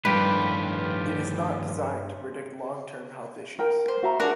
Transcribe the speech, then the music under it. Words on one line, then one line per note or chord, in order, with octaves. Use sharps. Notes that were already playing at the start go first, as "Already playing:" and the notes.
It is "not" designed to predict long term health issues.
G2 D#3 F3 A3 F4 G4 B4
A#4 G5
C5
F#4 E5 A#5
D4 F#4 G#4 A#4